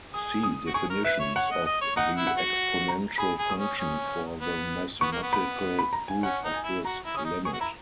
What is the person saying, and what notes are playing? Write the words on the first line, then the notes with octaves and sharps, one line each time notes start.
See definitions of the exponential function for the mathematical proof of this limit.
G#4 D#6
D#6
F#4
G#4 C#6
A#4
B4 E5
C#5
C#5 F#5
D#5
D#5
C#5
D#4 F#5
E4
F#5
F#4
A#5
G#4 B5
G#4
D#6
C#4
C#4
B3
B3 C#6
A#3
B3
B5
B5
A#5
G#5
C#4 F#5
D#4
G#5
E4
F#4 A#5
E4
C#4 D#6
D#4
G#4 C#6
F#4
E4 A#5